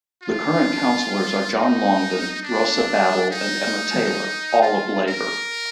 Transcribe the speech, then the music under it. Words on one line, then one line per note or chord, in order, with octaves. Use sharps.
The current councillors are John Longden, Rosa Battle and Emma Taylor, all of Labour.
F4
D#4
D4
D#4
F4
A#4